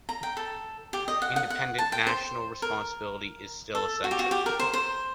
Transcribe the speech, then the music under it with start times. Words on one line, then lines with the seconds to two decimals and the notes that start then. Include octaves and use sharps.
Independent national responsibility is still essential.
0.09 A#5
0.23 G5
0.37 A4
0.93 G4
1.08 D#5
1.22 F#5
1.36 F#5
1.50 F#5
1.78 A5
1.92 G5
2.07 C5
2.62 A#4
3.75 A4
4.04 F#4
4.11 G4
4.19 F#4
4.31 G4
4.46 A#4
4.59 C5
4.73 C5